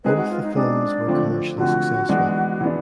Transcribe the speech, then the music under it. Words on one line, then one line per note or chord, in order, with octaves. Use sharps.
Both the films were commercially successful.
G#3 C4 D#4 G#4 B4
F#4
F4
D#4
G#3 C4 D4 D#4 G#4
D3 F3 A3 C4 F4
D3 F3 A3 C4 F4 F#4
E3 G#3 B3 D4
E3 G#3 B3 D4